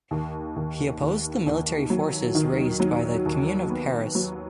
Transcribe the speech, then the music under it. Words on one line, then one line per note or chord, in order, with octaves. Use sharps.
He opposed the military forces raised by the Comune of Paris.
D#2
D#2
D#2
D#2
F#3
D#3
F#3
D#2
B3
F#3